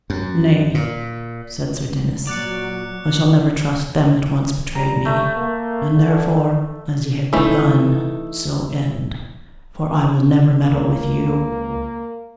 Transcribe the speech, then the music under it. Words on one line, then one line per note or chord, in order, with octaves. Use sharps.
Nay, said sir Dinas, I shall never trust them that once betrayed me, and therefore, as ye have begun, so end, for I will never meddle with you.
F#2
A#2
A#2 F#3 D5 D6 F#6 C#7
G3 A#5
G3 A3
A#3
D3
E3 A3 D#4
C#2 A#3